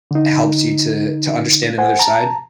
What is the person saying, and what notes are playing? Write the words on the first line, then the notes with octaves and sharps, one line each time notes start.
helps you to to understand another side,
D3 D#4
C5 F#5 G#5
A5 A#5